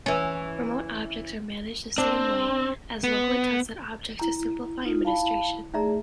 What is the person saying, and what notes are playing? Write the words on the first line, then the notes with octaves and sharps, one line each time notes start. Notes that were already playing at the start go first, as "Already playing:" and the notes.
Remote objects are managed the same way as locally tested objects to simplify administration.
E3 C#4
C4 D4
B3
E4 A#5
D#4 F4
E4 F5 A5 B5
A3 D#4 G#4 D5 E5 A#5